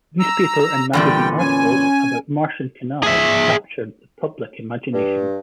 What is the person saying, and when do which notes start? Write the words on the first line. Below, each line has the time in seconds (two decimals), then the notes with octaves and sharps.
Newspaper and magazine articles about Martian canals captured the public imagination.
0.20 A#5 E6
0.93 E2 A#2 D3 G3 G5
1.39 C#4 G#5
3.03 G#4 E5
4.93 G2